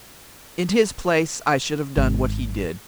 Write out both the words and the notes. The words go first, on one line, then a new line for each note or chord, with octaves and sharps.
In his place I should have done what he did.
G#1